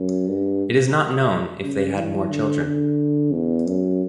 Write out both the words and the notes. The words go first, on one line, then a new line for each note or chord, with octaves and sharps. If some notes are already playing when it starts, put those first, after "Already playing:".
It is not known if they had more children.
Already playing: F#2
G2
C#3
E3
D3
D3
E2
F#2